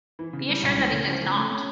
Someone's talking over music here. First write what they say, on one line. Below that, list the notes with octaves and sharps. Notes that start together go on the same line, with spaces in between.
Be assured that he does not!
E3 E4
C#3
G3
C#2 C#4
E3
C#3
F3
C#3
A3
C#4